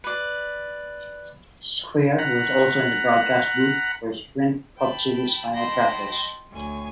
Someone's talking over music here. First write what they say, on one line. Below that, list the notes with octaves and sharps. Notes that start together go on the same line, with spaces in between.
Squier was also in the broadcast booth for Sprint Cup Series final practice.
B4 D5
F#5 A#5 B5
G5 A5 B5
D#5 G5 A5 B5 C6 A#6
D2 C#5 G#5